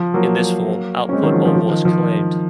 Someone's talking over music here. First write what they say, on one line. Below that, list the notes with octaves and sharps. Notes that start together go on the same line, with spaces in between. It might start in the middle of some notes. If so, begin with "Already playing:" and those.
In this form, output of was claimed.
Already playing: F3
F#3 A#3
C#4
G#3 C4
D#3 F#3
F3
F3
F3
D#3
F3